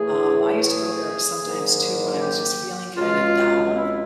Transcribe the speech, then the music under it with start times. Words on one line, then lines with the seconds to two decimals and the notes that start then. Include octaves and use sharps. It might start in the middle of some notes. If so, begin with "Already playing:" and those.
um, I used to go there sometimes too when I was just feeling kinda down,
Already playing: A2 E3 A3 G#4
0.67 G#4
1.43 G#2 D#3 F#3 A#3
2.19 G4
2.96 C#2 B2 G#3 F4
3.73 E4